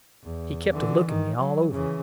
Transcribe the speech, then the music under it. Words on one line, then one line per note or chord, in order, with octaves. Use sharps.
He kept a-looking me all over.
E2
D3 E3
D#3
F#3
C#3 E3